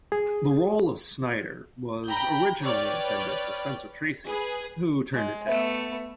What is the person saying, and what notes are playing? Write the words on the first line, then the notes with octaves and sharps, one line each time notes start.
The role of Snyder was originally intended for Spencer Tracy, who turned in down.
G#4
G5 A#5 B5 G6
B4 C#5 D5 G5 F6
G#4 B4
G#3
A3 B3 E5